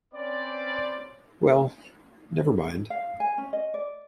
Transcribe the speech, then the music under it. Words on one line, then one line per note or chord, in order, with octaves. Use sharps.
Well, never mind.
C4 C#4 B4 C5 D5
F5
G#5
C#4
D#5
D5